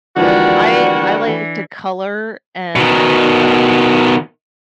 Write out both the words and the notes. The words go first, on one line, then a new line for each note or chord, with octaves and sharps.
I I like to color and, um
D3 E3 F3 G3 G#3 A#3 B3 F#4
E3
B2 D#3